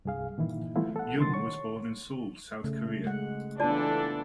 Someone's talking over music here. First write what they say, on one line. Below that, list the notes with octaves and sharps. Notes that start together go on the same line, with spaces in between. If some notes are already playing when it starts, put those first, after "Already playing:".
Jun was born in Seoul, South Korea.
C2 G2 G#4 F5
A#2 D#3 E3 E4
E3 G3 A3 B3 E4 F4
A4 F#5
C3 D#3 C6 A6
C#5 C#6
C#3 A3
G#3 F#5
E3 B3 D4 F4 A4 D5 A5